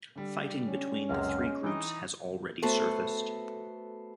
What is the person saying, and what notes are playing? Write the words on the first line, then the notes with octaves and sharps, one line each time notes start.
Fighting between the three groups has already surfaced.
D3 G3
C#4
C#2 F#2 C3 G#3 F5
E3 D#4 G5
A3 B3 F#4 A4 C5